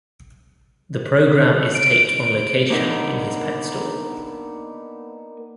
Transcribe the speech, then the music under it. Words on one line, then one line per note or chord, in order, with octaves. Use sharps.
The program is taped on location in his pet store.
D7
A#3 B3 D4 D#4 A#4